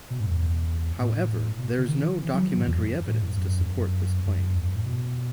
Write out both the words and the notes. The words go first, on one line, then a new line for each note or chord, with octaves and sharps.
However, there is no documentary evidence to support this claim.
B2
G#2
F#2
E2
A2
B2
C#3
D#3
E3
E3
F#3
E3
G#2
E2
F#2
A2
F#2
F#2
E2
F#2
F#2
E2
F#2
A2
B2